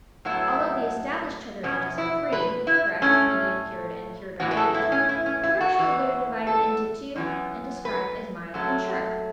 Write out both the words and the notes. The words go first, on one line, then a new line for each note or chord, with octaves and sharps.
Although the established Cheddar ages are three, fresh, medium-cured, and cured or aged, commercially they are divided into two and described as mild and sharp.
A2 F#3 B3 E4
E2 B2 B3 C#4
E4
B4
E4
A2 A3 C#4
A2 E3 B3 F#4
B4
A4
E4
C#4
E4
C#4
E4
F#4
E2 E3 B3
A4
F#2 E3 B3
B4
F#2 F#3 A3